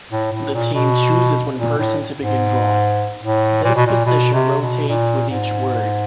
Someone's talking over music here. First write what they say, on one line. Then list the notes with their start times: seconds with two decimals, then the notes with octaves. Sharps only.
The team chooses one person to begin drawing; this position rotates with each word.
0.12 A2
0.33 A2
0.54 A#2
0.74 B2
1.57 A#2
1.78 A2
2.19 G#2
3.23 A2
3.64 A#2
3.75 B2
3.86 A#2
4.06 B2
4.33 C3
4.61 B2
4.88 A#2
5.30 G#2